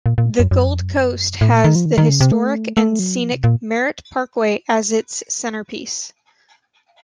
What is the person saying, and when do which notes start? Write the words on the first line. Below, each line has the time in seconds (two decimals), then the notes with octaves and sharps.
The Gold Coast has the historic and scenic Merritt Parkway as its centerpiece.
0.06 A#2
0.18 A#2
0.39 F#2
0.51 F#2
0.66 F2
0.81 F#2
1.41 A2
1.52 A#2
1.64 D#3
1.75 F3
1.86 D#3
1.98 D#3
2.09 C#3
2.21 C3
2.32 A3
2.77 A3
2.99 F#3
3.21 F3
3.32 C3
3.44 A#2